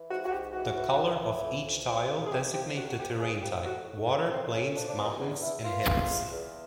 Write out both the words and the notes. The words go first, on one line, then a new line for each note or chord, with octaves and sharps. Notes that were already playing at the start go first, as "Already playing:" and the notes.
The color of each tile designate the terrain type; water, plains, mountains and hills.
Already playing: E3
G#2 F#4
F#4
G#2 G4
E3 F#4
E3
E3
E3
F2
F2
F3
C3
G#4
F3 G4
C3 G4
F2 F#4
F#4
F2 G4
F3 G#4
F3 G4
A2 F#4
A2
F3 B3
A2 C4
A2 C#4
F3 D4
D4
E2 D#4
E2
E2 E4
E3 F4
E2
E2
E2